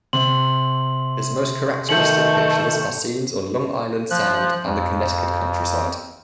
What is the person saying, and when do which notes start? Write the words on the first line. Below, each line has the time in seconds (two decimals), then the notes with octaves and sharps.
His most characteristic pictures are scenes on Long Island Sound and the Connecticut countryside.
0.13 C3 C6 F#7
1.89 B2 D#3 A3 G6 C#7 F#7
4.10 F3 F#6
4.66 F2